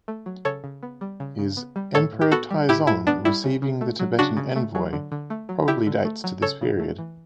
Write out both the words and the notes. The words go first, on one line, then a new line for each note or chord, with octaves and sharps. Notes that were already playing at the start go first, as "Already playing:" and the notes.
His "Emperor Taizong Receiving the Tibetan Envoy" probably dates to this period.
A3
F#3
C#3 A4 C#5
C#3
B3
G3
C#3
C#3
B3
G3
A2 A4 C#5
A2
G4
B3 F#4 A4
G3
A2 E4 G4
A2 E4
B3 D4
G3 E4
C#3
C#3
A3
F#3
C#3 D4 F#4
C#3
A3
F#3
D3
D3
A3
F#3
D3 E4 G4
D3
A3
F#3
C#3 A4 C#5
C#3
A3
E3